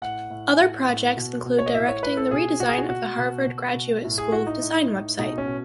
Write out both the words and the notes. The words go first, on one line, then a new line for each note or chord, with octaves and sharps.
Other projects include directing the redesign of the Harvard Graduate School of Design website.
A2 F#5
A2
A2
A2
B2
B2
C#5
D#5
A2 E5
C#5
A2 B4
A4
B2 G#4
B2 F#4
G#4
F#4
B2 F#4
B2
B2
B2
A2
G#4
A2 F#4
D#4
A2
A2
B2 D#4
C#4
B2